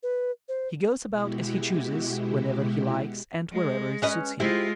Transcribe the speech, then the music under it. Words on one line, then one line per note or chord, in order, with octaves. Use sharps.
He goes about as he chooses, whenever he likes and wherever it suits him.
B4
C5
B2 G#3 E4 F#4 G4
G#3
C#4 B4 D#5
G#3 C4 E4 F4 G4